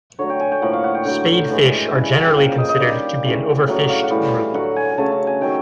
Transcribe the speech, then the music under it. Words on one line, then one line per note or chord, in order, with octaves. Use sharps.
Spadefish are generally considered to be an overfished group.
D3 F#3 A3 C#5
G5
G#5
G5
A2 F3 A#3 F#5
F5
F#5
G5
D3 F#3 A3 G5
A2 E3 G#3
C#3 E3 G3 G#5
G5
C#3 F3 A#3 F5
D#5
D#5
D#3 G3 A#3 D5
C#3 E3 A3
A2 F#3 A3
F5
F#5
A2 E3 G3 F5
D3 F#3 A3 F#5
G#5
G#5
C#3 F#3 A3 A5
A5
G#5
D#3 F#3 A3 G5